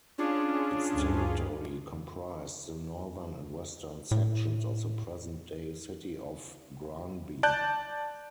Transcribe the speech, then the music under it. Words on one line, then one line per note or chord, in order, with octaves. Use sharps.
Its territory comprised the northern and western sections of the present-day City of Granby.
C#4 D4 F4 G#4
D2 G2
A2
D5 A5 F#6 G6